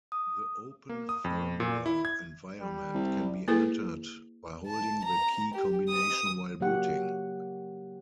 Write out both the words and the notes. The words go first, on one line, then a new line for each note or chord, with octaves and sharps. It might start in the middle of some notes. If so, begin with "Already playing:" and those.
The Open Firmware environment can be entered by holding the key combination while booting.
D#6
A#3
D#6
F2
A#2
E4
G#6
G3
C2
A#3 E4 G#4 A4 B4
A5
A#5
G4
D#6
C#3 F#3 A#3 G4 F#5